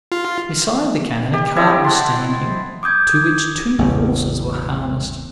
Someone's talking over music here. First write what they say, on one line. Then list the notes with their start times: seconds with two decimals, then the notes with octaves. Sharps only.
Beside the cannon a cart was standing to which two horses were harnessed.
0.12 F4
1.33 G4
1.56 C4 E4 C#5 D#5
1.84 F#5 A5 C6
2.83 D6 D#6 G6 G#6
3.79 A1 E2 C#3